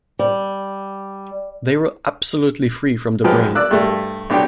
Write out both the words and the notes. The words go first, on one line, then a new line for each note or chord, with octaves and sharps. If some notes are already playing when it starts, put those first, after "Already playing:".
They were absolutely free from brain.
G3
F#2 F3 G#3 B4 G5 F6
D5 D6 E6 F#6
G2 G3 A3
B1 D4 G4 G5